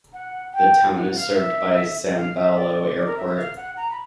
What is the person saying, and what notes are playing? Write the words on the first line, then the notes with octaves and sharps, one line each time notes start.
The town is served by Sambailo Airport.
F#5
G5
F#5
F5
E5
F5
E5
D5
D5
A#4
E5
E5
F5
F#5
A#5
B5